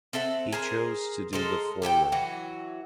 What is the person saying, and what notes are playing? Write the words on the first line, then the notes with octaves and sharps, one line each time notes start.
He chose to do the former.
C4 A4 E5 F#5
G#4 A#4 C5
G#3 A4 A#4 C5
G4 A4 E5 G5
E3 F#3 F#4